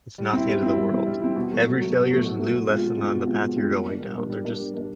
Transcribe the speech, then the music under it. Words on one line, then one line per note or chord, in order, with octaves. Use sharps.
it's not the end of the world. Every failure is a new lesson on the path you're going down. They're just
G3
C4 E4
G3
C4 E4
G3
C4 E4
G3
C4 E4
B2
F#3 A3
B2
F#3 A3
B2
F#3 A3
B2
F#3 A3
B2
G#3 C4 F4
B2
G#3 C4 F4
B2
G#3 C4 F4
B2
G#3 C4 F4
G3
A#3 D4
G3
A#3 D4
G3
A#3 D4
G3
A#3 D4